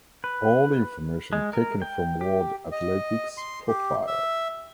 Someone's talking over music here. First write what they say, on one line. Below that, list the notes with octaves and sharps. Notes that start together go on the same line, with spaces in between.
All information taken from World Athletics profile.
B4
G#3
A#4
G5
G4
D#5
C6
G4
E5